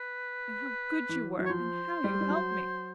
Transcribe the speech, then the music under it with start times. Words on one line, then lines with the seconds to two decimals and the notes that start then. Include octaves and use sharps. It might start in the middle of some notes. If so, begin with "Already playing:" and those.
And how good you were, and how you helped me!
Already playing: B4
1.09 E3
1.39 F#3
1.46 C#5
1.49 F3 C5
2.04 G3
2.21 G3
2.30 F#3